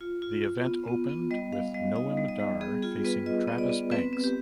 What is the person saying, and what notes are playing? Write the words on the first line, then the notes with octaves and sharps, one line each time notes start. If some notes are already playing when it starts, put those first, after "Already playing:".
The event opened with Noam Dar facing Travis Banks.
F4
F4
F4
B3
B3
B3
G3 D#5
G3 F5
G3 D#5
D#4 D#5
G3
D#5
G3
B3 G#4
F4 G#4
B3 B4
F4 D#5
B3
D5
B3
C4 B4
C4
G4